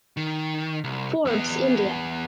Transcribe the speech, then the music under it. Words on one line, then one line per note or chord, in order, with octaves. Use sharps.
Forbes India.
D#3
C2
E2 B3